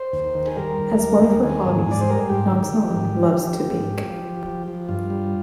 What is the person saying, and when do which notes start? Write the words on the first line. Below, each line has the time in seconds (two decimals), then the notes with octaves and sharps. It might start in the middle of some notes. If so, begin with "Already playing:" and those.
As one of her hobbies, Noxon loves to bake.
Already playing: C5
0.13 D#2
0.35 D#3
0.47 G#4
0.56 G3 A#4
0.78 D#2
0.99 G3
1.22 D#2
1.43 D#3 G#4
1.65 G#2
1.86 G#2 D5
2.01 C5
2.08 G3 A#4
2.20 G#4
2.30 G#2 G4
2.52 D#3
2.73 D#3
2.95 G#2
3.16 F3
3.38 F3
3.59 F3
3.81 G#2
4.03 F3
4.24 F3
4.46 F3
4.68 F3
4.88 G2 F4
5.10 G3